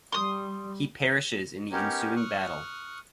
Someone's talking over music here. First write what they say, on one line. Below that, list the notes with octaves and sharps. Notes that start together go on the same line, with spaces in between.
He perishes in the ensuing battle.
G3 C6 D#6
B3 C#4 D#4 G4 A#4 C#5
C#6 D#6 F6 F#6